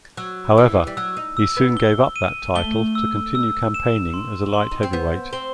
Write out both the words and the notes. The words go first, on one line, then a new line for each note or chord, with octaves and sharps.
However, he soon gave up that title to continue campaigning as a light-heavyweight.
F#3 E6
E3 E6
G3
F#3 E6
D#4
E6
B3
G7
D#7
A3 G7
E6
E6
E7
C6
C6
D#4
C4
B3 G6
C4 G7